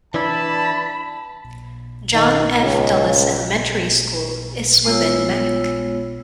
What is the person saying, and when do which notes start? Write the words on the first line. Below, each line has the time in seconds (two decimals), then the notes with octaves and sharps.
John F. Dulles Elementary School is within Mack.
0.14 E3 D4 E4 A5 B5
2.14 D#3
2.61 C#2
4.85 G#3 B3 F4 C#5 E6